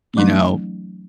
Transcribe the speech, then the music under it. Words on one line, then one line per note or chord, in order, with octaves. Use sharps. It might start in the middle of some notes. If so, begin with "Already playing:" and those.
you know,
E3 F#3 A3 C#4 D#4